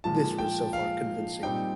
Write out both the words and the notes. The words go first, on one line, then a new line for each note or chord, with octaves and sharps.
This was so far convincing.
A#2 F3 G#3 A5
G5
F5
A#2 G3 C4 D#4 G5